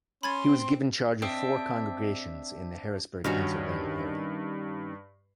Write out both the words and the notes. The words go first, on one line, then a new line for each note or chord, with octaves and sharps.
He was given charge of four congregations in the Harrisburg, Pennsylvania area.
C#4 B5 C6 G#6 A6
C4
C4 D4 D#5 E5
G2 D#3 C#4 F#4